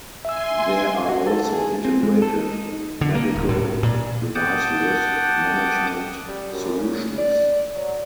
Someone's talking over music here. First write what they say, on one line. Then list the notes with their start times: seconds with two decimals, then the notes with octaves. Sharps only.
There are also integrated medical device risk management solutions.
0.25 E5 G#5 C6 E6
1.09 F#4
1.27 A4
1.53 G#4
1.85 C4
2.03 G#3
2.22 A4
2.36 D#4
3.01 D3
3.15 A#3
3.36 D#1
3.49 A2
3.83 A#2
4.35 F#5 G5 A5 D6 D#6 G6
6.28 G3
6.52 F#2
6.77 C#3
7.18 D5
7.75 F#3